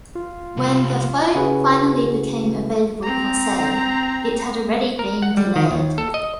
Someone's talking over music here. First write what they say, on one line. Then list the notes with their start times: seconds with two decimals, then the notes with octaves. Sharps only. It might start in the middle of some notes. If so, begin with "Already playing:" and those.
When the phone finally became available for sale, it had already been delayed.
0.15 F4
0.57 C2
1.35 C#3 C#4 E4 F#4 G#4 B4
3.03 C4 A#5
4.99 A#4
5.22 F#5
5.37 G3
5.56 D#3
5.71 D#2
5.98 A4
6.14 D#5